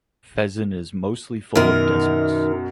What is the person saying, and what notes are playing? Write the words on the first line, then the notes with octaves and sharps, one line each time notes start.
Fezzen is mostly full of deserts.
F#2 B2 D#3 A#4